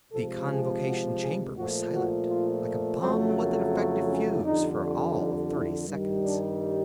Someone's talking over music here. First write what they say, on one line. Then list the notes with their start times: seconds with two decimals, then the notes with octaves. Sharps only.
The Convocation Chamber was silent, like a bomb with a defective fuse, for all of thirty seconds.
0.13 C3 F3 G#3 A4
0.50 G#4
0.85 F#4
1.21 G#4
1.57 A#2 F3 A3 F#4
1.93 F#4
2.29 F4
3.01 F2 C#3 F#3 A3 C4
3.37 A#3
3.73 C4
4.09 C#4
4.44 F2 D3 G3 D#4
5.16 D#4
5.52 E4
5.88 G2 D#3 G3
6.24 D4